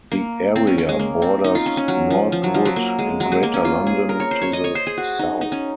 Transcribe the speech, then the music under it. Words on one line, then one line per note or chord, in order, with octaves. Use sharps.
The area borders Northwood in Greater London to the south.
A#3
C4
C#4
C#4
G#3
A#3
C4
D#4
F4
C#4
C#4
F#3
F3
F3
F#3
F3
F#3
A#3
G#3
F#3
G#3
A#3
C#4
F4
G#4
A#4
C#5
C5
C#5
D#5
C#5
C5
G#4
F#4
D#4
D#4
C#4